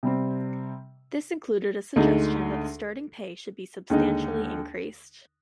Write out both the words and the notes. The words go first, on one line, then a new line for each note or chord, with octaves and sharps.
This included a suggestion that the starting pay should be substantially increased.
C3 G3 C4
D2 D3 G#3 D#4
D#2 D3 G#3 D#4